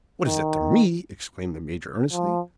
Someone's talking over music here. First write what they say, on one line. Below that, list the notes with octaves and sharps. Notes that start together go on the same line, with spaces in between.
"What is that to me!" exclaimed the Major, earnestly.
D#3
F3